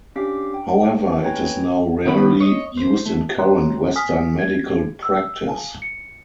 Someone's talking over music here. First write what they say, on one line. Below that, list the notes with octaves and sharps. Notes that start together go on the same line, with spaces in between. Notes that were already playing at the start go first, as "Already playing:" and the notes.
However, it is now rarely used in current Western medical practice.
C#4 D4 G4 F5 D6 B6
G5
B4 C#5 G5 G#5 A#5
D#3 B3 C#4 B5
C#5 D#5
C5
A3
F#4 C#5 A#5 C6 F#6
G#5 D#6 F6 B6
G#6
E6
F5 G#5 A5
C#7